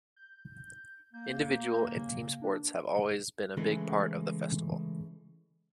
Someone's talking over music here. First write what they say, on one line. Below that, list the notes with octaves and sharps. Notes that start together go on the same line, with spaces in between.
Individual and team sports have always been a big part of the festival.
G6
A#3 G6
C#3
D4
C#3 E3 G#3 A3